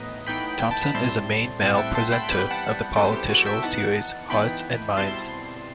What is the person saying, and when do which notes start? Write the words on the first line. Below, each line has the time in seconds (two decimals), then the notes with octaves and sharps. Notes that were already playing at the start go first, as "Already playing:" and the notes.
Thompson is the main male presenter of the political series "Hearts and Minds".
Already playing: A2 E3 B3 D#4 B4 D#5
0.27 A2 E3 B3 D#4 G5 B5
0.60 G5
0.71 A5
0.83 B5
0.94 A2 G3 C4 E4 A5 C6
1.61 A2 G3 C4 E4 F#5 A5
1.78 E5 G5
1.95 A5 C6
2.12 G5 B5
2.28 C3 E3 G3 B3 G5 B5
2.51 F#5 A5
2.95 C3 E3 G3 B3 A4 C5
3.12 G4
3.29 F#4 A4
3.46 E5 G5
3.63 E3 B3 D#4 F#5 A5
4.30 E3 B3 D#4 G5 B5
4.97 B2 G3 C4 E4 A5 C6